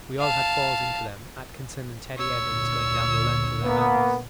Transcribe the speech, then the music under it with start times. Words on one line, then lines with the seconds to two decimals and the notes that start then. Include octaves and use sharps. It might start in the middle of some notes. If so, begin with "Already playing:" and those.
We all had falls into them, Atkinson and Teddy Evans going down the length of their harness.
0.19 F5 A5
2.18 D2 A#2 D3 C#5 E6
3.63 A#3 B3